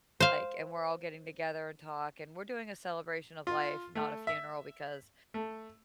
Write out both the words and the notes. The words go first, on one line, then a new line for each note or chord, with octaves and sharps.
like and we're all getting together and talk and we're doing a celebration of life, not a funeral because
C5 F5
F4
A3
E5
A3